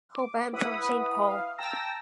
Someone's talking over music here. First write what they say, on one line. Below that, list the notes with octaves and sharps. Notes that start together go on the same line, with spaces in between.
Hoban from Saint Paul.
D6
E4 B4 F#5 B5 D#6
F5
G5 A5 A#5 E6 A#6